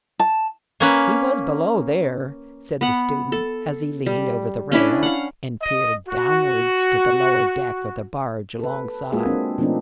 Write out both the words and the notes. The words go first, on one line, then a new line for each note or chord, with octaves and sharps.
"He was below there," said the student, as he leaned over the rail and peered downwards to the lower deck of the barge alongside.
A5
A#3 C#4 B4
B3 F#5
A4
G3
C#4 D4 E4 B4
F5 F#5
D#5
F#4
A4 B4
G#3 A#3 F4 F#4 G#4 E5
C4 D4
B2 F3 A3 C4 D4 D#4